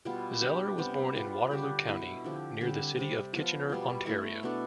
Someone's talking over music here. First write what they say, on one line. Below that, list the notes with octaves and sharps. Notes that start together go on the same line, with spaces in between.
Zeller was born in Waterloo County, near the city of Kitchener, Ontario.
B2 G3 B3 F4
G3 D4 G4
C3 G3 B3
G3 B3 F4 B4
D3 G3 D4 G4
B2 B3 E4
D3 F3 C4 G4
D3 G3 C4 G4
C3 G3 C4
F3 B3 F4
B2 G3 B3 F4
A3 E4 A4
B2 B3 D4 A4